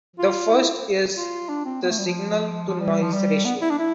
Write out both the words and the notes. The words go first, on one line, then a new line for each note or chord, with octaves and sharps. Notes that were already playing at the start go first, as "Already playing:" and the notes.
The first is the signal-to-noise ratio.
F4
E4
F4
D4
C4
B3
A3
G3
F3
F3
G3
F3
G3
B3
E4
D4
E4